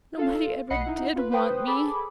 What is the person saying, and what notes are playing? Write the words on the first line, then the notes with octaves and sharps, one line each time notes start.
Nobody ever did want me.
F4 A4 F5
B1 D#5 F#5 B5 C7 C#7
D#4 E4 F#5
F4 B4
B4 C5 G5 D#6
G#4 A4 B5 D6